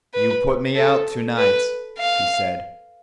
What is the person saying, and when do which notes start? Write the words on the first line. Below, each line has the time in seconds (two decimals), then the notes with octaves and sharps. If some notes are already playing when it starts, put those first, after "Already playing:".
"You put me out to-night," he said.
0.14 B4
0.75 A4
1.37 B4
1.99 F5